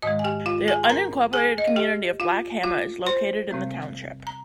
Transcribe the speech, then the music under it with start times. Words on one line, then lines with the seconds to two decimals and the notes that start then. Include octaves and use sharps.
The unincorporated community of Black Hammer is located in the township.
0.02 G#2 D#3 G#3 D#5 D#6
0.19 G#5
0.24 G4 G5
0.46 F4 F5
0.68 G#4 G#5
0.83 C6
0.89 A#4 A#5
1.33 G#4 G#5
1.58 D#5
1.68 F5
1.76 G4 G5
2.20 F4 F5
2.64 F4 F5
3.06 C5 C6
3.51 C3 G3 C4
4.27 A#5